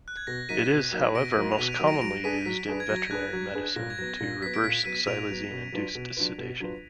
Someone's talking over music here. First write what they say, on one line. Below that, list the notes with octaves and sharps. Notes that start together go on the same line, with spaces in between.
It is however most commonly used in veterinary medicine, to reverse xylazine-induced sedation.
F#6
G#6
B2 A#6
F#3 A#3 D#4 B6 D#7
B2
F#3 A#3 D#4
B2 A#6 D7
F#3 A#3 D#4
F7
B2 B6 D#7
D7 F7
F#3 A#3 D#4
A#6 D7
F#3 A#6 D7
D4 G#4 B4 B6 D#7
F#3 B6
D4 G#4 B4
G#6
F#3 A#6
D4 G#4 B4 F#6
F#3 G#6
D4 G#4 B4
A#2 A#6
G#6
F#3 B3 A#6
A#2 A#6
F#3 B3 B6
D7
A#2 B6
F#3 B3 B6 D#7
A#2 D7 F7
F#3 B3
B2
F#3 D4 F4 B4
B2
F#3 D4 F4 B4
B2
F#3 D4 F4 B4